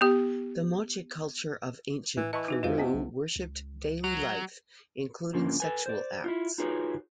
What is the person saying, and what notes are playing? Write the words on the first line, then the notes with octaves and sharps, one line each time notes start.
The Moche culture of ancient Peru worshipped daily life including sexual acts.
B3 G4
A2 E3
E3 D#5 A5 B5 C#6
D#4 F#4 B4
F2 C3 G#3 F4 B4 F5
B3 D#5 F#5 G#5
C2
C#2
F#3
E2 G#2 D3 F3 A#3 C#4
A4 B4 G#5
C5 D5
E4 F4
D#4 F4 F#4 G#4 B4 C#5